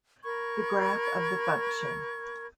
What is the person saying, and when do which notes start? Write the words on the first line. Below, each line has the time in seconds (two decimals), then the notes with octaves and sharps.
The graph of the function.
0.23 A#4 B5 C#6 G#6